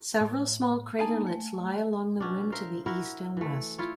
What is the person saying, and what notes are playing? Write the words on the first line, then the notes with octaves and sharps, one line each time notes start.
Several small craterlets lie along the rim to the east and west.
A2
A#3 D4 D#4 F5 G#5 A5
A3
B2 C#4 D4
A#4 C5 E5 F5
E4 F#4 A#4
E3 A3
E4 F4 C#5